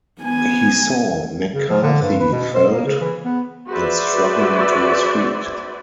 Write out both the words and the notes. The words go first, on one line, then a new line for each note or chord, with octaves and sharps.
He saw Mccarthy felled, and struggling to his feet.
B3 G#5
C#3
F3
D3
G2
B4
B2
C5
A#3
C#3
E3
B3
F#4 G#4 B4 C5 D5 E5